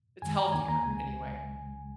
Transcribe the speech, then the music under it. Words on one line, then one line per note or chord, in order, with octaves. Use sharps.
It's healthier, anyway.
F#2 D#3 G#3 G#5
A#5
D#2 D#3 A#3 G#5
A#5
C#2 C#3 G#3 G#5